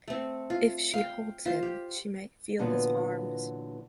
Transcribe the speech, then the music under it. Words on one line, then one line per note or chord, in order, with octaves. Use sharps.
If she holds him, she might feel his arms.
A3 C4
F4
F5 G5
F4 C5
G4
A#2 D3 E3 F#3 B3